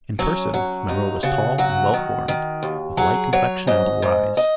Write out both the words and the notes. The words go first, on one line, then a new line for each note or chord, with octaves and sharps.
In person, Monroe was tall and well-formed, with light complexion and blue eyes.
F#3 C#4
F#3
D#2 D#4
C#3 F#4
F#3 F#4
D#3
D#3
D#2
F#3 G#4
F#3 C#5
G#2 D#5
G#2
D#5